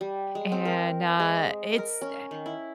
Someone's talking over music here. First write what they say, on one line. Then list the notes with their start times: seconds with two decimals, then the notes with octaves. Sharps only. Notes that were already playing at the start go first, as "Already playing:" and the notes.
and, uh, it's eh,
0.01 G3
0.35 G#3
0.52 C4
0.65 A#4
1.20 G#3
1.78 A#4
2.01 C#4
2.31 D#3
2.46 E4